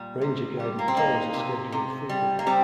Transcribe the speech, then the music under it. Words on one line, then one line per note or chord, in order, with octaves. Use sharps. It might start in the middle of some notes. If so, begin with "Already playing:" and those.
Ranger-guided tours are scheduled frequently.
Already playing: A#2 G3
C3
G3
A#3
C4
C3 A#3 D#4
C3
C3
G3
A#3
G3 C4